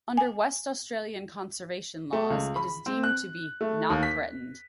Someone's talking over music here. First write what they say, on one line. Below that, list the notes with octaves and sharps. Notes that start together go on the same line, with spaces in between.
Under West Australian conservation laws it is deemed to be "not threatened".
G#5
A3
C#2
B5
C4
F#6
A3
D#2
B6